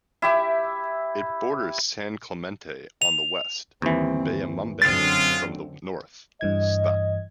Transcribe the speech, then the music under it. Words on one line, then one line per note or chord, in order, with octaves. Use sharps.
It borders San Clemente on the west, Bayambang from the north, Sta.
E4 G4 E5
F7
G1 D#2 E3 C4
F#2 D3 G#3 C4 F4 A6
G2 E3 D#5 G#6